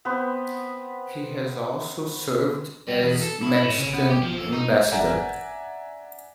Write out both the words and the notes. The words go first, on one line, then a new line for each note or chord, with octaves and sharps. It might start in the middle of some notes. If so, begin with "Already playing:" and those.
He has also served as Mexican Ambassador.
B3 C4 B4
G3
E2
A4
E4
A2
C#3
B3
G4
F3
A4
D#4
D5 E5 F#5 G#5 A#5